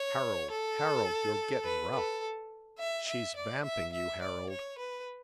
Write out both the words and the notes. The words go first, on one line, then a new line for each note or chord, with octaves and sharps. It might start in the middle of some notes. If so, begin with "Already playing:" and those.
"Harold, Harold, you're getting rough!"... "She's vamping you, Harold!"...
Already playing: C#5
A4
B4
A4
E5
E5
D5
E5
E5
D5
C#5
B4